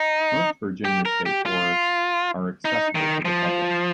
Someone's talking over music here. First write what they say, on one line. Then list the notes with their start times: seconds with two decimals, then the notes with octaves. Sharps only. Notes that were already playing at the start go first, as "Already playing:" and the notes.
Most Virginia state forests are accessible to the public.
Already playing: D#4
0.85 G4
1.06 A#4
1.26 G4
1.46 F4
2.65 D#4
2.95 D#3
3.25 F3